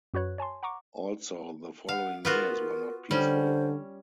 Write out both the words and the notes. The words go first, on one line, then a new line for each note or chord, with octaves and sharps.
Also the following years were not peaceful.
F#2 F#4 B4 C#5 F#6
C#5 G#5 A5 C6
F#5 A#5 C#6 D6
F5 F#5
B3 F4 F#4 A#4
D3 G3 C#4 C5